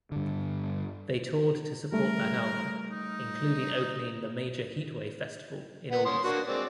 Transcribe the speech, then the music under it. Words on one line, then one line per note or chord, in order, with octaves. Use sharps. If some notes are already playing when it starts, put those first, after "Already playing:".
They toured to support that album, including opening the major Heatwave festival in August.
G2 D3
G3 A3 A#4
D#4
B4 F#5
C#4 C6 D#6
A#3 D4 F#4
G#3 C4 D5